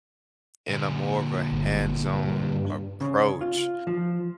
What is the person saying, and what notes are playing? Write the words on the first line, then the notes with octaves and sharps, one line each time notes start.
in a more of a hands-on approach,
A#2 D3
G1
G2
C#3
F4
F3